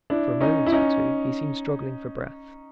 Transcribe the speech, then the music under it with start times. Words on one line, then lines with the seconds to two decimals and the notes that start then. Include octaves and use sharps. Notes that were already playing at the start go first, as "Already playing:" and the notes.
For a moment or two he seemed struggling for breath.
0.10 D4 E4
0.40 C#4 D#4
0.66 E4
0.72 C#4 D#4